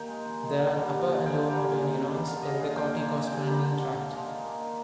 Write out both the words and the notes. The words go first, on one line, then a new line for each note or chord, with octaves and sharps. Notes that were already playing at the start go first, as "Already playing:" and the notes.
There are upper and lower motor neurons in the corticospinal tract.
Already playing: D#3 A#3 G5 A#5
G#3
D#3
G#3
D3 F5
G3 A#3
A#2
F3 G#3
D3 G5 G#5
F5
G3 A#3 G5
A#5
A#2 G#5
G#3
C3
D#3 G3 A#3
D3 F5
G#3 D#5
A#2 F5
F3 A#3 G5
D#3 G#5
G#3
C3 G5
D#3 G3 A#3
D3
F3 A#3
D3 F5
F3 G#3
D#3
A#3
D#3